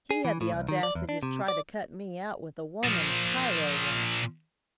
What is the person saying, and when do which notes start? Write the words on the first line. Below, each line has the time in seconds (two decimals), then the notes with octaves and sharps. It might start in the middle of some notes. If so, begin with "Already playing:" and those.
He had the audacity to try to cut me out with a woman at Cairo once.
0.11 G#4
0.25 E3
0.41 A2
0.53 C2
0.69 D#3
0.83 D5
0.95 E2
1.09 D4
1.23 C3
1.48 D5
2.84 A#2 F3